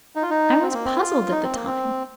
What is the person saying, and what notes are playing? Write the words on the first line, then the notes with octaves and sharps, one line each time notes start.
I was puzzled at the time.
D#4
F4
D#4
C4
A#3
C4
F4
D#4
C4
A#3
C4